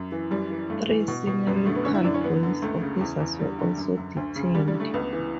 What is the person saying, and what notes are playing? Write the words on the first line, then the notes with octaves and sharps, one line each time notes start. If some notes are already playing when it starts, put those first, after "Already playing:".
Three senior local police officers were also detained.
Already playing: F#2
E3
F#2 G3
E3
G2 A3
E3
B2
B2
F#2 B3
G3
D3 A3
B3
D3 C#4
E4
F#2 D4
C#4
D3 B3
D3
C#2 A3
C#3
E2
E2
D3 G3
D3
F#2
F#2
D2
C#3
D3 G3
G3
D3
A3
C#2 B3
E3